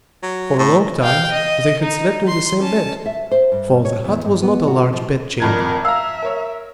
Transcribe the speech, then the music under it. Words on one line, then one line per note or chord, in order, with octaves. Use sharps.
For a long time they had slept in the same bed, for the hut was not a large bedchamber.
F#3
A2
F5 G5
D#5
D#4
C6
C#4 A5
E5
C5
G2
C#5
E2
G2
B3
F#4
F3
G#1 F2 A#4 G#6
E5 F5 A#5 E6
A#4 C#5